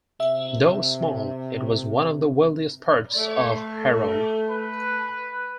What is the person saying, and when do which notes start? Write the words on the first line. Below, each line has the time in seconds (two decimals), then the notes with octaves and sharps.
Though small, it was one of the wealthiest parts of Harrow.
0.20 C3 E5
3.16 A3
4.50 B4